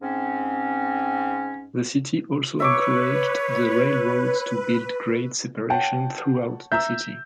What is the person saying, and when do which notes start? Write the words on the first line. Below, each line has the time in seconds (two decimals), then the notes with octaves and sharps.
The city also encouraged the railroads to build grade separation throughout the city.
0.02 G#2 C4 C#4
2.60 B4 C#5 E5 C#6 D6
5.70 C#5 F#5 G5 A5
6.72 E5 A#5 E6 G6